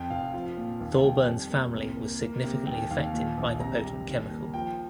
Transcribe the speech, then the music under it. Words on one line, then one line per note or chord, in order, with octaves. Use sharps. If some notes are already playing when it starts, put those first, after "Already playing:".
Thorburn's family was significantly affected by the potent chemical.
Already playing: F2 G5
F1 F5
F3 F5
A#2
D#2 F5
G3 G5
F2
A#3
C2
A#3
A#3
C3
D#2 G5
D#2 F5
A#2
A#1
C3 A#5
G3
D#2
A#3
F3 G5